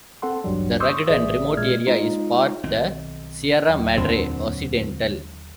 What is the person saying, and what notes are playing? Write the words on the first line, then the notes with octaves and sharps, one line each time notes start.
The rugged and remote area is part the Sierra Madre Occidental.
C4 A4 F#5 C6
A1 D2 G2 F#3 G3
C6 C#6 D#6 E6 G6
A1 G#4 D5 E5 D#6
A#2 G#3 F6 G#6
G#3 D#4 F4
B1 D#3 C4
D#2 F#3
F2 A#2 D3 F#3 C4 B5 C6